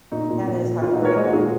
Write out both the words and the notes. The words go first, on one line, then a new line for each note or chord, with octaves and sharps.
That is heartbreaking.
A#2 D#4
A#2
A#2
A#2
A#2 F4
D#4 F#4
G#3
A#4 C#5
G#3 C5 D#5
D#4 F#4
A#2 F4 G#4